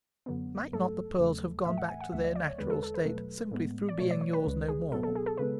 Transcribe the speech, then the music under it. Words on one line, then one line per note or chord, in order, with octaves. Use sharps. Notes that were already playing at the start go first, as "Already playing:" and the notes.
Might not the pearls have gone back to their natural state simply through being yours no more?
F#2 D3 F#3 B3
G#2 F#3 A3 A4
E2 C#3 F#3 A3
A2 E3 A3 E5
F#5
G#5
F#5
D2 D3 F#3 A3 E5
D5
D5
C#5
E2 D3 G#3 B4
A4
A4
B4
B2 F#3 A3
A2 G#3 B3
D5
B2 F#3 A3 C#5
D5
C#5
B4
C#2 C#3 G#3
G#4
B2 F#3 B3 A4
A4
G#4
A4
C#3 G#3 B3 B4